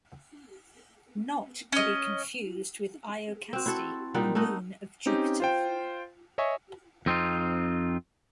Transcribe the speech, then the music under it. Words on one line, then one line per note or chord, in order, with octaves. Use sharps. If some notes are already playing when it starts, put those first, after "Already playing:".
Not to be confused with Iocaste, a moon of Jupiter.
C#4 D#5
C4 F#4
E4 F#4 A4
A#2 G3 D#4 F#5
A3 D#4 D#5 F#5
C4 C#4 D#4 G4
F4 C5 G5
C#5 D#5 E5 G#5 C#6
F2 C4 D#4 F4